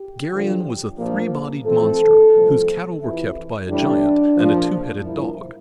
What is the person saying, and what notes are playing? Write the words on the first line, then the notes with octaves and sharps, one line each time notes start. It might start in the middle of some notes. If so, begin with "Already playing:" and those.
Geryon was a three-bodied monster whose cattle were kept by a giant and a two-headed dog!
Already playing: G4
G2 D3 F3
A#1 A#2 F3 A#3
F2 E3 A3 C4 A4
C2 A#2 F3 A3 C4
F2 C3 E3 E4
A1 A2 G3 D4
A#1 A#2 F3
G2 F3 A#3 E4